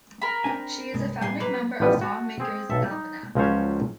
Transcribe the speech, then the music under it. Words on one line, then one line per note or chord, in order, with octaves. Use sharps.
She is a founding member of Songmakers' Almanac.
A#4 B5
C4 D4 G#5
C2 G2 G#3
A2 G3 G#5 C6
F#3 A#3 B4
A1 F3 G3 B3 B4
F#4 A5
C4 G#4
B1 A4 E5
D#4
C#2 F3 F#3 C#4 C5 C#5